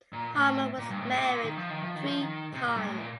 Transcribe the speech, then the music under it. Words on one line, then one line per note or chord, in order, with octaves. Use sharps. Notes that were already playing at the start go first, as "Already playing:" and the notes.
Harmon was married three times.
A#2
A2
A#2
G2
A2
A2
C3
A#2
D#3
F3
D#3
F3
D#3
F3
D#3
C3
A#2
G2
A2
A#2